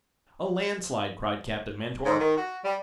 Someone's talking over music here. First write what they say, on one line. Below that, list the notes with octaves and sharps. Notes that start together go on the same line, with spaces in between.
"A landslide!" cried Captain Mentor.
G#2
D#3
F#4
G3